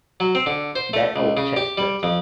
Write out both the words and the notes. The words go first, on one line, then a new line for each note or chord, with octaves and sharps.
That old chestnut.
F#3
C4
D3
C5
A3
C#2
C#3
G4
G3
F2